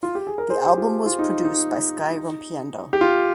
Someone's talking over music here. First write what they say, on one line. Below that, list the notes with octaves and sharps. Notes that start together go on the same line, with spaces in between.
The album was produced by Sky Rompiendo.
F4
G4
G#4
A#4
G#4 C5
G4
F4
F4
D#4
D#4
G4
F4